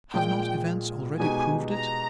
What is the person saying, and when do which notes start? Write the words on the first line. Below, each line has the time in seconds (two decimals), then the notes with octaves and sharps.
Have not events already proved it?
0.13 A#1 A#2 G#3 G5
1.20 B2 G#3 D#4 G4 G#5
1.72 A#5